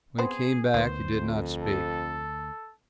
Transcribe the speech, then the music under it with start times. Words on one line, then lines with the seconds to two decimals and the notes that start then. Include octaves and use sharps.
When he came back, he did not speak.
0.19 B3 C4 G#4 C5
0.74 D2 D#3 B3 C5
1.12 F2
1.62 A4